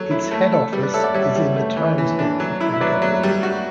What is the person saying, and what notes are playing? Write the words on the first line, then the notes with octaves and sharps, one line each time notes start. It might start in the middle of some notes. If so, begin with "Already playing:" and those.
Its head office is in The Times Building in Dublin.
Already playing: F#3 A4 C#5
E4
A3
A4
G3 B4 D5
B4 D5
A4 C#5 E5
D5 F#5
G3 C#5 E5
G3
A3
E3
E3
D4
F#3
E4
E5
F#3 B4 D5
F#3
G3
F#4